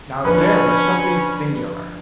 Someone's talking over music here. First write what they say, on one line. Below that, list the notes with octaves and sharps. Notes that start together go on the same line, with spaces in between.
Now there was something singular.
F3 C#4 D4 B4 C5 B5